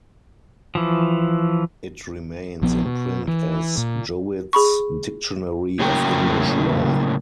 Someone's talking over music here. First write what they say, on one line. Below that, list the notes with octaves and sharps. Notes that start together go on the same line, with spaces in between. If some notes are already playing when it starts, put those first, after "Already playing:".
It remains in print as "Jowitt's Dictionary of English Law".
E3 F3
A#1 F3 B3
B2
E3
A#2
G#4 B5 C#6
A2 C#3 F#3 A#3 G5